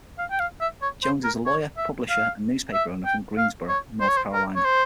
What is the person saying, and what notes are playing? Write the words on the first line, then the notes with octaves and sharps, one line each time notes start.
Jones is a lawyer, publisher and newspaper owner from Greensboro, North Carolina.
F5
G5
F5
E5
C#5
C5
A#4
C#5
E5
F5
E5
G5
F5
C#5
C5
C#5
C5
A#4
C#5
C5